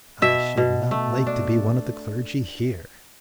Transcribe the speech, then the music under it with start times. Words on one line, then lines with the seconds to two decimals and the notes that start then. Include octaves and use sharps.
I should not like to be one of the clergy here.
0.22 B2 E5
0.57 B2
0.91 A3
1.27 D4